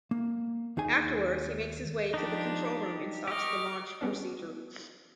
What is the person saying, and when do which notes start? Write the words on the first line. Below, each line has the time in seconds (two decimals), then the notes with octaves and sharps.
Afterwards he makes his way to the control room and stops the launch procedure.
0.11 A#3
0.77 D#2 D#4 G#4 G#5
2.14 F3 D4 D#4 G4
3.27 G4 D#5 C#6 D6 F6
4.01 G3 B3 C#4 D4